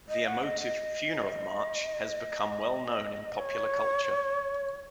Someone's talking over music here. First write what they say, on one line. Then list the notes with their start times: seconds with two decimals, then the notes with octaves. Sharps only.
The emotive "funeral march" has become well known in popular culture.
0.09 D#5
0.26 F#5
0.43 D#5
0.60 D#5
3.38 C#5